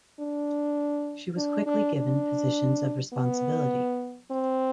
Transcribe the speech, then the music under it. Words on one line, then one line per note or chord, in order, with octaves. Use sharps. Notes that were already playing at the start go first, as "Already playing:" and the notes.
She was quickly given positions of responsibility.
D4
D4
D4
D4
B3
C4